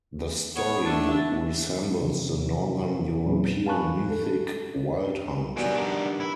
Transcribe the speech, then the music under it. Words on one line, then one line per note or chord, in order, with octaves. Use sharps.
The story resembles the northern European mythic Wild Hunt.
B3 C#5
A3 D4 E5 A5
C3 D#3 F3
A#2 F#3 A#3 C4 C#4 D#4
F5 G#5 A5 B5 C#6 F#6
A4
D#3 G3 B3 F#4 G#5
D4 A#4
E4